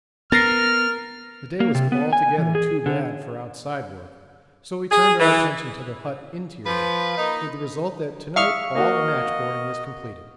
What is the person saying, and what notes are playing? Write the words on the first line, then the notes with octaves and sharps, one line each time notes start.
The day was altogether too bad for outside work, so we turned our attention to the hut interior, with the result that to-night all the matchboarding is completed.
B3 A#4 F6 A6 A#6 C7
A#3
C3
B3
G#5
E3
G#4
D3
G#4
E3
F3 B4
A#3 D#4
E5 F5 C#6 D#6 F6
A#3 F#4 D#5